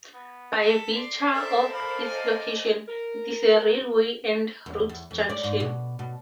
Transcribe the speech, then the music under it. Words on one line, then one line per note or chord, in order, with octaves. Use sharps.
By virtue of its location, it is a railway and road junction.
B3
A4 B6
D5 C6
A4 A#4 C5 D5 E5
D5 F5 B5
D#5 G#5
A#4
E2
E2
F2
D5
G#2
B2
B2